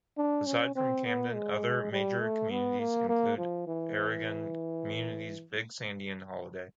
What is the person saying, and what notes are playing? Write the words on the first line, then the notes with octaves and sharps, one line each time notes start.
Aside from Camden, other major communities include agrarian communities Big Sandy and Holladay.
D4
C#4
C4
B3
G#3
G3
A3
B3
A#3
A#3
F3
E3